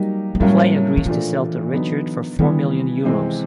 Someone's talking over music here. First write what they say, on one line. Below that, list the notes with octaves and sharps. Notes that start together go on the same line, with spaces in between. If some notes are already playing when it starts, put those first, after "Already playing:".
Clay agrees to sell to Richard for four million euros.
Already playing: F#3 G3 A#3 D#4 G4
G#3
A2 F#3 G3 A#3 C#4
D#3
A#2 E3 F3 A3 D4
D3 F#3 B3 D#4
D#3 E3 G3 B3
C3 E3 G#3 C4